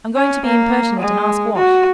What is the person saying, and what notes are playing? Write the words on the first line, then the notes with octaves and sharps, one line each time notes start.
I'm going to be impertinent and ask what.
C#4
A#3
G#3
F#4